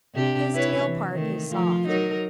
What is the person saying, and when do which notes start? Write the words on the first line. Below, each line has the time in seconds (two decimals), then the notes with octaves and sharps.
His tail part is soft.
0.14 C3 D4 G4
0.54 E4 B4 C#5
0.84 E3
1.15 D#3 A3
1.48 F3 F4
1.87 F#3 D#4 A#4